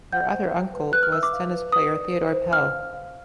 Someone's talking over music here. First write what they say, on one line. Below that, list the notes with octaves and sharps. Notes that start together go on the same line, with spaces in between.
Her other uncle was tennis player Theodore Pell.
F#5 G6
C5
G5
B4
B4 F#6
F6
E5 E6
D6
F5
B4
B4 D#6
D5
C5
C5
F5 F6
F5
F5